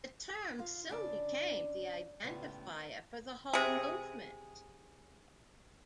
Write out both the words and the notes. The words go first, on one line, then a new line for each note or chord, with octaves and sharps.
The term soon became the identifier for the whole movement.
F4 F5
C#3 D4 D5
A2 C#3 G3 G#3 B3
C3 G#4